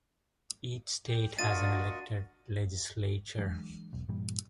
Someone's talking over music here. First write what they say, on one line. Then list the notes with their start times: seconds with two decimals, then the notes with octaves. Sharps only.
Each state has an elected legislature.
1.08 G4
1.39 D4 F4 F#4 A#4 D#5 A6 D#7
3.38 E3 F#3 G#3 D4
3.93 E1 B1
4.09 G2 A#2 E3 G3